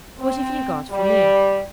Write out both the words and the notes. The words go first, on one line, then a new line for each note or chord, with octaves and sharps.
What have you got for me?'
C4
G3